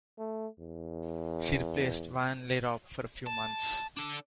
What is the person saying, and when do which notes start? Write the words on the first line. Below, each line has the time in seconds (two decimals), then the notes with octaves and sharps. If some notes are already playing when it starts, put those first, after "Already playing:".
She replaced Van Lierop for a few months.
0.18 A3
0.59 E2
3.26 A5
3.97 D4 A4